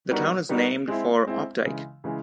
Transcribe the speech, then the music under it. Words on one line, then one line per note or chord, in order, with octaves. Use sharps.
The town is named for Opdyke.
G3 B3 D#4 F#4 A#4
G3 B3 D#4 F#4 A#4
G#3 C4 E4
G#3 C4 E4
C#3 E3 G#3
C#3 E3 G#3